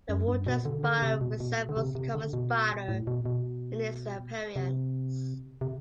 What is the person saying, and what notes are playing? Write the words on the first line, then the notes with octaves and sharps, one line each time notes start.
The water-spider resembles the common spider in its appearance.
F#2
G2
B2
D3
D3
C3
B2
B2
D3
C3
C3
D3
B2
A2
B2
B2
C3
C3